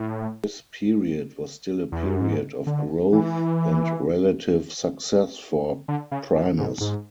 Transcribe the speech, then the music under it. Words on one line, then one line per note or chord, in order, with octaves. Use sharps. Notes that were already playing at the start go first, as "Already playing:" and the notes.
This period was still a period of growth and relative success for Primus.
Already playing: A2
E2
F#2
G#2
D3
E3
D3
C#3
B2
G#2
G#2